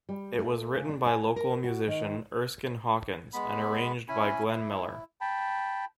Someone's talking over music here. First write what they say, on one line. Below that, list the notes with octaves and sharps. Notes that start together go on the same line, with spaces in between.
It was written by local musician Erskine Hawkins and arranged by Glenn Miller.
G3
A3
C#3
D4
G#5
A#4
F#4
D#3
G#3 B3 B5
C#4 E4 G#5 B5
E4
G5 A5 B5